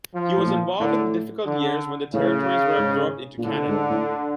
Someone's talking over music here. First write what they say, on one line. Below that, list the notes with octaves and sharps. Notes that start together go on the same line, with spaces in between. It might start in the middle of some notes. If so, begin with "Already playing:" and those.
He was involved in the difficult years when the Territories were absorbed into Canada.
F3
A2
A#2
A2 D3
D3
A2 C#3
G#2
A#2
A2 D3
G#2
A2